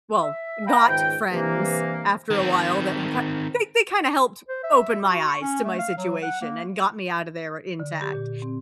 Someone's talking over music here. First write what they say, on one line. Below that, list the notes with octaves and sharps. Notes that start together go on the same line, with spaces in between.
Well, got friends after a while that had ki they they kinda helped open my eyes to my situation and got me out of there intact.
E5
E5 F5 G5 A#5 B5
C#2 G#2 D#3 G5
G2 C3 E3 A#3
D#3 C4
C5
E5
F#4
C#6
C#4
A3
F5
F#3
F#5
A#3
D3
G4
A#2
C4